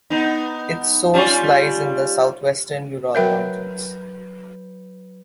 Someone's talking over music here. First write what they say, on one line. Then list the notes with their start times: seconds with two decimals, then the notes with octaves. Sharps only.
Its source lies in the south-western Ural Mountains.
0.10 B3 D#4
1.14 G3 C#4 F4
3.15 F#3 A#4 B4 E5 G5 G6